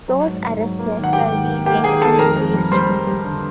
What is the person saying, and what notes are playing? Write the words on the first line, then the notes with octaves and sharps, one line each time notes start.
Those arrested were detained and released.
F#3
G#2
G#2
F#3
A#3
D#3
F#5
G#2 G4 G5
D#3
A#3
A#3 G4 G5
D#3 G#4 G#5
D#3 A4 A5
F2 A#4 A#5
F2
G3
G3 C5 C6
G3
G3
D3